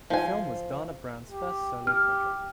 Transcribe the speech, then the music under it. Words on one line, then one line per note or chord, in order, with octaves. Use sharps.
This film was Dana Brown's first solo project.
F3 G#5
G4
G4 F6